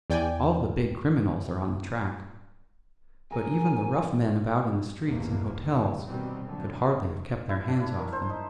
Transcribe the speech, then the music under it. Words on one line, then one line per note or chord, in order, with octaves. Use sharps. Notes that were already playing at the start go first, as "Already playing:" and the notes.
All the big criminals are on the track; but even the rough men about in the streets and hotels could hardly have kept their hands off them.
E2 D5 G5 G#5
G#4 A#4 G#5
A#1 E2 G2 B2 A#3
E2
B2 D#3 G3 B3 C4
F#2 A#2 D3 F#3
E4
D4
E4
A#4
C5
D#4